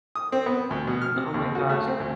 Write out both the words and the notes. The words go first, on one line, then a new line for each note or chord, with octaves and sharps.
Oh my gosh.
D#6
C4
B3
D2
B2
F6
C3
D#2
F#4
A3
C4
D2